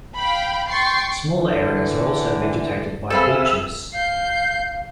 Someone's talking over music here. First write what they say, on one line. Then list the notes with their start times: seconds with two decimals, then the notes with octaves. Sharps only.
Smaller areas are also vegetated by beeches.
0.16 F5 G5 B5
0.69 G5 C6 C#6 A6 C7
1.36 D3 E3
3.10 C4 G#4 A4 B4 E5 F5 E6
3.93 F5 G6 C7